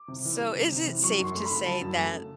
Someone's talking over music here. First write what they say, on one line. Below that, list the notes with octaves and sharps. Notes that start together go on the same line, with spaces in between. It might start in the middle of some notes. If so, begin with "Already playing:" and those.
So is it safe to say that
Already playing: D6
C3
E3
G3
C3
C3
E3
F#3 C#6
F#2 C6
A3
B5
C#3
F#3 A5
F#2
A3
C#3